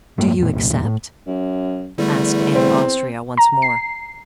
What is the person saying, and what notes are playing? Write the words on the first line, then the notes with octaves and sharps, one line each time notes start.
"Do you accept?" asked Anne of Austria, once more.
G2 A3 A#3
F2 A#2
F1 C2 A#2
D#1 E2 A#2
A2
F#2
E2 D3 G3 A3
C4
A#5
C7